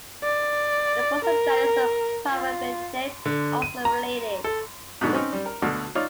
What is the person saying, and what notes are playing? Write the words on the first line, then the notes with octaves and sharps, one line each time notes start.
The fossil genus "Parapedetes" is also related.
D5
A#4
F4
D3
D#7
A#5
A4
G#2 B2 D3 D#4
C4 C#4 D#4
G3
A#4
D2 B2 D3
D#4 F4 C#5 D5